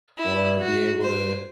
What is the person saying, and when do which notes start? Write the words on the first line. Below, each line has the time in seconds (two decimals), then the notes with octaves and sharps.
or be able to
0.18 E4
0.60 F#4
1.01 C5